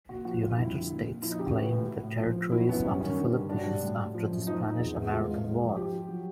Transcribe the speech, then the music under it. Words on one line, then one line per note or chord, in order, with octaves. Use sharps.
The United States claimed the territories of the Philippines after the Spanish-American War.
A#2 F#4
F3 F#4
G2 F4
F2 E4
D3
A#2
A#2
F3 E4
D#4
C#3 G4
F#4
E3
A2
A2
A2
F3
F3
F#3 E4
F#2 B3
G2 C#4
D#3 C#4
D3
G2
F#3 D4
G2
A2
A2
F3
F#2
F3 D#4
F3 D#4
E2
E2
G#2 F4
G#2
G#2
F3
F3 G4
F3
F#3